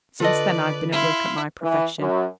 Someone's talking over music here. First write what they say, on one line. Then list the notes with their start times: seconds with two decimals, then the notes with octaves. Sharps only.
Since then I've been at work at my profession.
0.20 D3 F4 A4 B4 D5 D#5
0.92 E4 F5 C6
1.60 E3
1.98 F#2